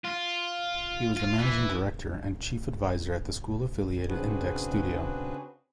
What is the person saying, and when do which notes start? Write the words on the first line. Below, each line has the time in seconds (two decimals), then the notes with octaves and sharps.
He was the managing director and chief advisor at the school-affiliated Indeks Studio.
0.05 F4
1.16 F4
1.39 E3
4.08 C#3 C4 D4 F#4 G#4 B4